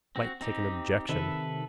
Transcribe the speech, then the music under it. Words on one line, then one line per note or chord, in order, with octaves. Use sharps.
Might take an objection.
C4 F#4
C4 D#4 G4
C3 D#3 A4 B4 E5